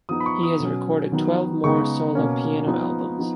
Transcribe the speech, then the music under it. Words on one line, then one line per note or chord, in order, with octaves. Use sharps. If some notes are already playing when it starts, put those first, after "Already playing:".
He has recorded twelve more solo piano albums.
F3 B3 D#4 D#6
B5
C#6
D#6
B2 F#3 C#4
D#3 F#3 B3 D#4
C#3 G#3 B3 D#4 C#6
B2 A#3 C#4
F3 B3 D#4
F3 B3 D#4